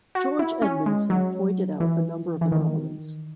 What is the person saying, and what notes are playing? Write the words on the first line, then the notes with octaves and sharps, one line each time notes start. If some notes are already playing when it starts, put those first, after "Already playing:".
George Edmundson pointed out a number of anomalies.
F#4
E4
C#4
G#3
F#3
E3
E3
D#3